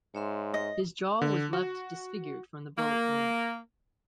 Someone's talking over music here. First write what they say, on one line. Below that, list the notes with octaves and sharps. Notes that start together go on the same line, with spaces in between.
His jaw was left disfigured from the bullet wound.
G#2 C#5 E5 C6
D#5
D3
F#4
A#3